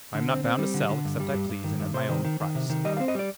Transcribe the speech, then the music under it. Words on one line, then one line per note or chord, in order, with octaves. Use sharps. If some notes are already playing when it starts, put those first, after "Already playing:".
"I am not bound to sell except I please, and at my own price."
D3
C4
C4
G3
D3
D3
G2
G3
G2
G2
D#3
G2
C3 C5
D#3
D#3
D#3
C3
D#3
G3 D#5
C4 F5
D#5
G3 D5